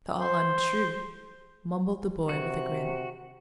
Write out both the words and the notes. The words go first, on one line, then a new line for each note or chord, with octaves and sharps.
"It's all untrue," mumbled the boy, with a grin.
C5
C3 F#4